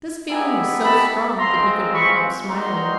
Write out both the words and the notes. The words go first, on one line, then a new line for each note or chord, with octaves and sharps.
This feeling was so strong that he could not help smiling.
G#3 B3 E4 G4 G#5 A#5
A5 B5
G#3 C4 F4 A#5 C6
B5 C#6
G3 A#3 D#4 F#4 A#5 C6